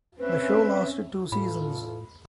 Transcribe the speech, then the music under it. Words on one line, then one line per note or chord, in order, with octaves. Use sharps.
The show lasted two seasons.
C4 C#4 B4 E5
A2 E3 F4 A4 B5